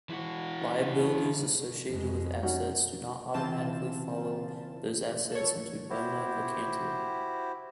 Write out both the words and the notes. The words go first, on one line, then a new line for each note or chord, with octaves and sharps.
Liabilities associated with assets do not automatically follow those assets into "bona vacantia".
E3 F#4
F2 G#3
C#4 D#4 F#4
C#3 E3 C4 F4 A5 E7
A4 C#5
E4 F#4 G4 C5